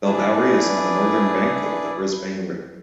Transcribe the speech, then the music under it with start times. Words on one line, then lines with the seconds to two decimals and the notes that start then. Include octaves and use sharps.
Bellbowrie is on the northern bank of the Brisbane River.
0.05 D4 E4 G#4 B4 D5